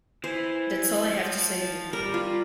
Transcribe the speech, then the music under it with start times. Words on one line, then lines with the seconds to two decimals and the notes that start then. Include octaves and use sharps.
That's all I have to say to you!
0.24 E3 C5
1.08 F3
1.92 G3 A#4
2.14 F4